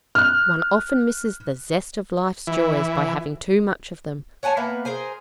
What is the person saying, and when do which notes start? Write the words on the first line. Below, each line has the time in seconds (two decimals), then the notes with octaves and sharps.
One often misses the zest of life's joys by having too much of them.
0.15 F6 F#6
2.47 E3
4.43 C#5 F#5 G#5 A5
4.57 A#3 B3 B4 E5
4.85 G#4 A#4 C5 G#5